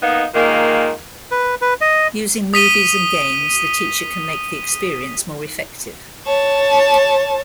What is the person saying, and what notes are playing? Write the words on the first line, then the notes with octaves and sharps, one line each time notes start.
Using movies and games the teacher can make the experience more effective.
A#3 B3 D#4
A#2 D#3 G#3 A#3
B4
B4
D#5
D#6 B6 D#7 G7
C#5 A5